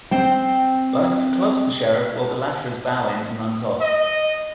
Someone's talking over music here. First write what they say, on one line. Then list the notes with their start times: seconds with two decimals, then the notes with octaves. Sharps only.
Bugs clubs the Sheriff while the latter is bowing and runs off.
0.11 C4 G5
3.81 D#5